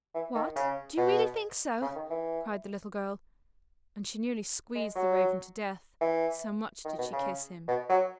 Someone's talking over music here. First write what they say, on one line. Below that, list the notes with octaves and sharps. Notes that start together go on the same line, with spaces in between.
"What, do you really think so?" cried the little girl; and she nearly squeezed the Raven to death, so much did she kiss him.
E3
D#3
C#3
B2
C#3
D#3
E3
G#3
F#3
E3
D#3
B2
C#3
B2
F#3